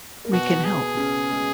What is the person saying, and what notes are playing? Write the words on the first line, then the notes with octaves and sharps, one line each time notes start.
We can help.
A#3
B2 B3 F#4
G#4
C#3 C#4
G#3